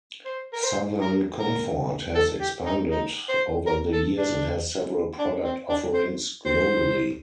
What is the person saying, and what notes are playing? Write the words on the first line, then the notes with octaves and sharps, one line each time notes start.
Southern Comfort has expanded over the years and has several product offerings globally.
C5
A#4
C5
A#4
A#4
A4
G4
D#4
D#4
C5
A#4
A4
D4
D4
C4
D4
C5
C5